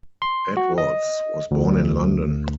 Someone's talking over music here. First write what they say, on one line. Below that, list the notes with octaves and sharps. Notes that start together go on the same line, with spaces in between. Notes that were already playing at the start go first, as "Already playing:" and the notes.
Edwards was born in London.
C6
F#4
D#5
D2